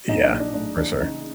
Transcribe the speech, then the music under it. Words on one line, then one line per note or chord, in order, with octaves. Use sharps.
Yeah. For sure.
A#1 D#4
D4
A#1
D4
A2 D4
E3 D4
C#3 D#4